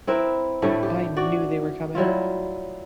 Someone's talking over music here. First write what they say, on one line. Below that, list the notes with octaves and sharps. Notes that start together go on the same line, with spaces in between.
I knew they were coming.
C4 E4 A#4 B4
A2 D3 G3 A3
G4
F#4 D5
F#3 G3 E4 F4